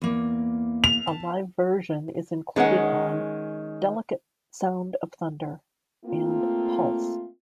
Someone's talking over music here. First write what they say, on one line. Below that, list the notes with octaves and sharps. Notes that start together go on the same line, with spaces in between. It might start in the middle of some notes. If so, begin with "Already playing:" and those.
A live version is included on "Delicate Sound of Thunder" and "Pulse".
E2 A#3
F7
A5
D#3 G#3 C#4 F#5
A3 A#3 C4 F4